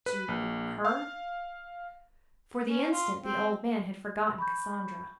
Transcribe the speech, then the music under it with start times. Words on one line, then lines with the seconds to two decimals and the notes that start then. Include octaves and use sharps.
"To--her?" For the instant the old man had forgotten Cassandra.
0.06 B4
0.28 A#1
0.85 F5
2.65 C#4
2.91 F4
3.22 C4
4.38 B5 C#6 G6